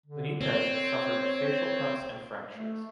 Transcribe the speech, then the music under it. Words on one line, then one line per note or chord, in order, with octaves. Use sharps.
Benitez suffered facial cuts and fractures.
D3
C4 C#5
A3